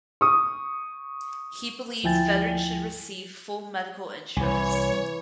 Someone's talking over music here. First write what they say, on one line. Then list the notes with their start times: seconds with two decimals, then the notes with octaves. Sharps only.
He believes veterans should receive full medical insurance.
0.21 C#6 D#6
2.03 D2 F3 E4 G5 G#5 A6
4.37 C2 E3 C#5 G#5